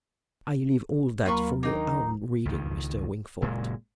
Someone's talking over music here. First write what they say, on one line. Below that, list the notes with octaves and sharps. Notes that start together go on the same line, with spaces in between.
I leave all that for your own reading, Mr. Wingfold.
D#2 F#3 A#3 F4 A#5 B5 C#6
D#3 A#3 D4 D#4 A#4
C#2 D#3
F#1 A#2 G#3